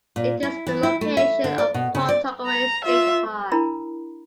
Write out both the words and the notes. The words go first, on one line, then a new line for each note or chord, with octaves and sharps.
It is the location of Pawtuckaway State Park.
A#2
E4
E3
E4
A3
E5
D3
D5
B2
C#3
D5
A#5
F4 E5
D4 E4 A#4 A#5 B5